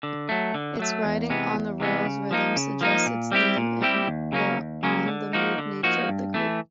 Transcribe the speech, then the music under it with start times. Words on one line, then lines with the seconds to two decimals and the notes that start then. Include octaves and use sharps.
Its riding-on-the-rails rhythm suggests its theme and the on-the-move nature of the group.
0.03 D3
0.29 F#3 A3
0.54 D3
0.79 F#3 A3
1.05 E2
1.30 C3 E3 G#3 B3
1.54 E2
1.80 C3 E3 G#3 B3
2.05 C#3
2.31 F3 A#3 D#4
2.56 C#3
2.81 F3 A#3 D#4
3.06 A#2
3.32 G3 C4 E4 G4
3.57 A#2
3.82 G3 C4 E4 G4
4.07 D#2
4.32 C#3 F#3 A#3 C#4
4.58 D#2
4.83 C#3 F#3 A#3 C#4
5.08 D3
5.33 F3 A#3 D#4 F#4
5.58 D3
5.83 F3 A#3 D#4 F#4
6.08 G2
6.34 E3 A3